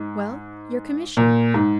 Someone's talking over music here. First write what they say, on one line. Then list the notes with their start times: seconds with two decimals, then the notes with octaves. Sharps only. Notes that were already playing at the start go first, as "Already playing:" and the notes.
"Well,--your commission?"
Already playing: G#2
1.17 A#2
1.54 G#2